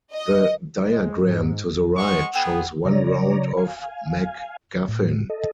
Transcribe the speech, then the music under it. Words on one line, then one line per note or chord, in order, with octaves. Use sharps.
The diagram to the right shows one round of MacGuffin.
D#5
G#3
G#2
G#3 F#5 C#6
B3 G#4 G5 E6
C#3 F#3 C#5 D5 A#5
F5 G#5
A2
A4 D#5